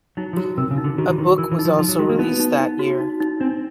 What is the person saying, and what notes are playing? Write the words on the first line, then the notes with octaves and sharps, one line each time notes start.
A book was also released that year.
F#3 D#4
F3
F#3 F#4
C3 A#4
C#3
D#4
D3
D#3 F#4
E3
D#3 F#4
E3 A#4
E3
D#4
F3
F3 D#4
F#3
G#3 F#4
A#3
B3 D#4
D#4
D#4
F#4
D#4
D#4
C4 D4